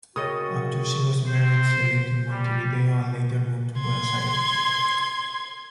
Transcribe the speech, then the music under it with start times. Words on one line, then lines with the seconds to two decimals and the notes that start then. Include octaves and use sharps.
After she was married she lived in Montevideo and later moved to Buenos Aires.
0.16 C#3 F#4 A#4 C#5 D#5 G5 D#6 A6
1.27 C5
2.29 G3
3.81 C6 G#6